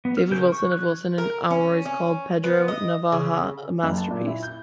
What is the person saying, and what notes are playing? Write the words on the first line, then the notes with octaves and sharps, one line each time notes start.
David Wilson of Wilson and Alroy's called "Pedro Navaja" a "masterpiece".
B3
F6
C#3 A#4 C5 G6
C#6
F3 C#5 F#6
A#4
C#4
C#4
B3
D#5
C#3
F#1
A5
A#2
E4
G6